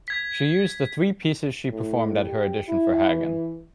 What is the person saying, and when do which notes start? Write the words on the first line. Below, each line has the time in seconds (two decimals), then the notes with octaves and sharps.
She used the three pieces she performed at her audition for Hagen.
0.08 G#6 B6
1.72 A2
2.23 G4
2.68 E4
3.09 E3